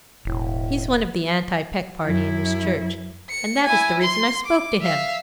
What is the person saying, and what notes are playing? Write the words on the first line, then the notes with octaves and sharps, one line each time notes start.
He's one of the anti-Peck party in his church, and that is the reason I spoke to him.
E1 A2
F#2 E4
C#7
E4 G#5
C6
D6
E5 F5